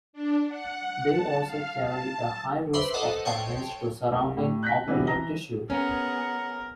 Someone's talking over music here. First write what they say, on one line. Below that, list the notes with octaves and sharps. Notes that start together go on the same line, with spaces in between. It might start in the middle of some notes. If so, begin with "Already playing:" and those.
They also carry a high risk of damage to surrounding ocular tissue.
D4
F#5
A5
F5
A5
B4 C5 E5 C6 D6
A4 C5 D#5 F#5
C#5 G5 A5 C6
C2
A2 G4
F#6 G6 A#6 B6
D3 E3 G3 B3 C4
E3 A#5 A#6 G7
B3 C#4 G#4 A#4 F#5